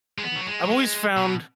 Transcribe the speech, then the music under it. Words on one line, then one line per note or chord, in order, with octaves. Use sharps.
Mm, I've always found
G#3
B3
F#3
G#3
F#3
G#3
B2